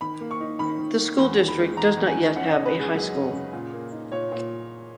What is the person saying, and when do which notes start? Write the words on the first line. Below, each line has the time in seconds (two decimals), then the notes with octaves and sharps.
The school district does not yet have a high school.
0.01 D#3 B5
0.21 A#3
0.31 C#6
0.40 D#4
0.59 D#3 B5
0.79 D#3
0.99 A#3
1.18 E2 B5
1.38 D#3
1.48 B5
1.58 G#3
1.77 E2 A#5
1.97 E2
2.07 G#5
2.16 D#3
2.36 C#4 F#5
2.51 D#5
2.56 C#3
2.66 B4
2.75 G#3 G#4
2.95 F#2 G#4
3.15 C#4
3.33 C#3
3.53 A#2
3.73 A#3
3.92 D#4
4.12 A#2 C#5
4.32 A#2